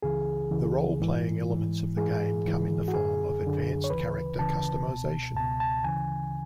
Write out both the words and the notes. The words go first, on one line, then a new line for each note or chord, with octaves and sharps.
The role-playing elements of the game come in the form of advanced character customization.
C#2 C#3 E3 G#4
C#2 C#3 E3
G#2 E3
G#2 E3
G#2 E3 G#4
G#2 E3
F#4
F#2 D3 G#4
F#2 D3
C#5
D2 C#3 E3 B4
D2 C#3 E3 A5
C#2 B2
C#2 B2 A5
A5
D2 C#3 E3 G#5